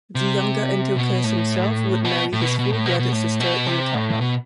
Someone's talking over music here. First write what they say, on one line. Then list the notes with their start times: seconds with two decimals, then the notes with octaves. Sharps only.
The younger Antiochus himself would marry his full-blooded sister Iotapa.
0.15 C3
0.96 B2
1.24 A2
2.04 B2
2.33 A2
2.41 B2
2.59 B2
2.73 A2
2.86 B2
2.99 B2
3.12 A2
3.40 B2
3.67 C3
3.94 A2
4.21 B2